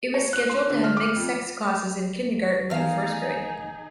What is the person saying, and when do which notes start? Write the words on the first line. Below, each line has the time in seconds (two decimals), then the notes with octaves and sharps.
It was scheduled to have mixed-sex classes in Kindergarten through first grade.
0.14 C#5
0.33 F#6
0.49 C6
0.70 D3
0.84 F6
0.97 D6
1.16 F2
2.70 D#3 E3 B3 D#4 G#4 F5